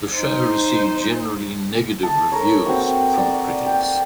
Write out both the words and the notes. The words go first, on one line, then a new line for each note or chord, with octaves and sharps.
The show received generally negative reviews from critics.
D#4 C5
A5
A4 A#4 C#5
C4 F#4 C#6
D5
G5